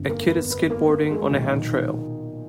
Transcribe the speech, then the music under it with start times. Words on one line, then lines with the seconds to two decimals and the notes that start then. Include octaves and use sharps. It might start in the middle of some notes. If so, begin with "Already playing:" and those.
A kid is skateboarding on a handrail.
Already playing: G1 F2 D3
0.09 A#3 A#4
0.29 B3 B4
0.50 B3 B4
0.70 A#3 A#4
0.90 A#3 A#4
1.11 G#3 G#4
1.31 B1 A#2 D#3 F3 D#4